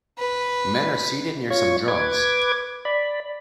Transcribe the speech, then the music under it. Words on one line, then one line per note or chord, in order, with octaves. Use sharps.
Men are seated near some drums.
B4
F4 C#5 C#6
B4 D6 G#6
D5 B5